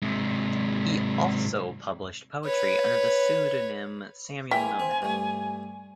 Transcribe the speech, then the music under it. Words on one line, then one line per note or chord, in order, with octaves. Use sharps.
He also published poetry under the pseudonym Samuel Nomad.
G#2 C3
B4 C#5
E3 G#3 A#3 E5 G5 G#5
C4
G2 A3